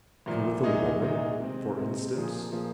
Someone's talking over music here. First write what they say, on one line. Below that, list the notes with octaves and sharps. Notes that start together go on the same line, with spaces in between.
And with a woman, for instance.
C2 A#2 F3
C2 A#2 G#3 D#4 G#4
C2 A#2 G#3 D#4 G#4
C3 G#3 C4
C3 G#3 C4
A#2 F3 A#3 G#4
A#2 F3 A#3 G#4